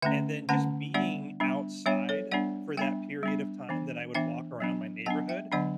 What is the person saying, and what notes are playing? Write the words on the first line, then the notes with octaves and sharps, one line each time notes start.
And then just being outside for that period of time that I would walk around my neighborhood
D3 A3 C#4 E5 G5
D3 A3 C#4 F#5 A5
G3 B3 D4 D5 F#5
G3 B3 D4
G3 B3 D4 C#5 E5
A4 C#5
G3 B3 D4 D5 F#5
G3 B3 D4 E5 G5
G3 B3 D4
E3 B3 D4
E3 B3 D4 E5 G5
F#3 B3 D4
F#3 B3 D4 F#5 A5
E5 G5
D3 F#3 B3 D4 D5 F#5